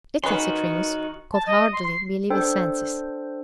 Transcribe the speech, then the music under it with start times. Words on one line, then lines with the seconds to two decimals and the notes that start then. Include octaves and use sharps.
Little Citrinus could hardly believe his senses.
0.24 D#3 C#4 F#4 G#4 B4 C6
1.33 A5
1.46 D#5
1.73 C6
1.86 C7
2.30 D4 A4 C5 G5